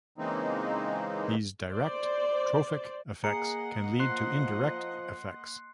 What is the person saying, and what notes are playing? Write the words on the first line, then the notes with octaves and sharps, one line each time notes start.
These direct, trophic, effects can lead to indirect effects.
C#3 E3 G#3 A#3 C4 D#4
C5 D5
A#3 G#4 D#5 F#5 A#5 C7 C#7
F3 C6 F#6 C7